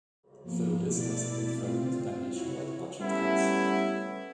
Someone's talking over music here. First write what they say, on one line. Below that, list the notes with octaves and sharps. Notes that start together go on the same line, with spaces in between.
Though this has been threatened by nationwide budget cuts.
F3 A#3 B3
B2 A3 E4 D5 A6
C4 F4
E4 F#4 C#5
G3 A3 B3 C#4 E4